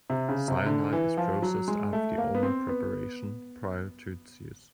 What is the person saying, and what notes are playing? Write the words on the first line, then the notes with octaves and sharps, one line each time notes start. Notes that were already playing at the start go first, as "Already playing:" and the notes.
Cyanide is processed out of the almond preparation prior to its use.
C3
C#3
C3
D3
E3
F3
F#3
G#3
A3
A#3
B3
C4
B3